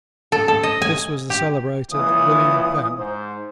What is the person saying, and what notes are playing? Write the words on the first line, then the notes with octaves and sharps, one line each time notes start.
This was the celebrated William Penn.
A4
A4
D#5
G#5
G4
C#2 A#2 E3 D#6
G#2 C5